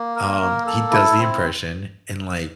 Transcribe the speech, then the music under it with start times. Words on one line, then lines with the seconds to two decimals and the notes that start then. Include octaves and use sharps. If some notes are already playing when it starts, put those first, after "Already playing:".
um, he does the impression and, like
Already playing: A#3
0.16 A#4
0.42 A#3
0.66 A4
0.91 E4
1.17 C4